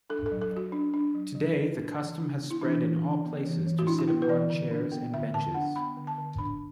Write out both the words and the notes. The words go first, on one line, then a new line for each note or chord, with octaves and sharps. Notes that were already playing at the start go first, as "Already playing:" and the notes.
Today, the custom has spread in all places to sit upon chairs and benches.
D4 A4
A4
F#3
A4
F#3
F#4
D4
D4
F#3
F#3
D4
D4
E3
D4
B3
E4
E3 D4
E3
D4
B3
E3
E3
F#4
D4 E4
F#4
B3 E4
B4
E3 D5
D3
D4
B3
D3 E5
D3 A5
D4 F#5
B3 B5
D3
A5
D3
D4 B5